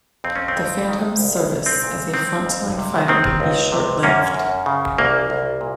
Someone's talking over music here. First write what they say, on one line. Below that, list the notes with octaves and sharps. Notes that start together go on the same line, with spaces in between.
The Phantom's service as a frontline fighter would be short-lived.
F2 C4
C#4
C4
F2
D#3
C2
C2
C4
A#2
D#3 C4
F2
C3
D#3 C4
C#2
C3
F#2 A#3 C#4
F#2
C#3
C2 A#3
C2
A#2